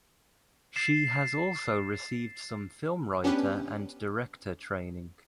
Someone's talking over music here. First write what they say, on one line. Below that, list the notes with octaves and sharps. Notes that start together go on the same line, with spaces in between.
She has also received some film writer and director training.
A6 C7 E7
B3 C#4 D4 G4 B4